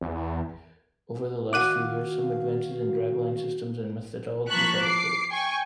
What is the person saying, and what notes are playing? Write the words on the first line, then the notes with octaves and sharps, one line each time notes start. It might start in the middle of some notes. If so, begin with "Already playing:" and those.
Over the last few years, some advances in dragline systems and methodologies have occurred.
E2
D#3 F#4 F5 D6 F#6 D#7
F3 A#3 A5 C#6 F#6 B6
D6 C7
G5 G#5 C#6